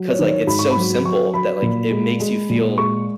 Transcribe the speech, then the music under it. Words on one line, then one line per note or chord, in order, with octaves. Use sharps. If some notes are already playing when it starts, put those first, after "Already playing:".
'cause like, it's so simple that, like, it makes you feel
Already playing: F#3
C#5
D#3
C#5
G#2 B5
C#6
B5
F#3
F#3 C#6
F#3 B5
A#2
G#3
G#3
A#2
G#3 C#6